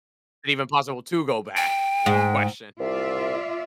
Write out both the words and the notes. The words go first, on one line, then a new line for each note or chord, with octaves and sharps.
Even possible to go back- is the question.
G5
G#2
C2 F4 D5 E5